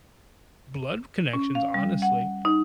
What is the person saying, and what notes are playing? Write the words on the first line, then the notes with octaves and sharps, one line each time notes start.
blood connections, honestly.
C#4
F5
G3
F#5
D#4